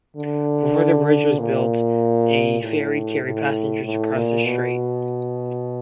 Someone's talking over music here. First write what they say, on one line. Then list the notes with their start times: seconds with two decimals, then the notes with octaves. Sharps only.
Before the bridge was built, a ferry carried passengers across the strait.
0.16 D3
1.39 A#2
2.61 A2
3.23 A2
3.84 A2
4.14 A#2
4.45 B2